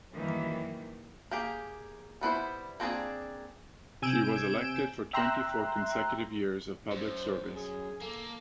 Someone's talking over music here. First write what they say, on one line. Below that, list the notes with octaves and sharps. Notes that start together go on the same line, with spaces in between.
She was elected for twenty-four consecutive years of public service.
F#2 D#3 E3 G3 A#3
A#3 G4 G#4
G3 B3 E4 C5
A#3 C4 D4 G#4
C3 G#5 E6 G6 D7 E7
E5 G5 A#5 C6 E6 F#6
F#2 C5
G#4
A#3 A4